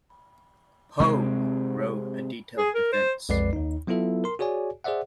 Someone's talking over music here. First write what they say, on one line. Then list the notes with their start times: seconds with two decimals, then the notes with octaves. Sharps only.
Pogge wrote a detailed defense.
1.00 C3 G#3 B3 C4
2.58 G#4
2.75 A#4
2.93 C5
3.29 B1 F2 G#3 B4 D5 C7
3.53 D#2 D#4
3.87 F#3 B3 E4 F4 A4 E5
4.24 A#4 C6
4.39 F#4 G#4 C#5 D5 G#5
4.84 G#4 C5 D5 E5 F#5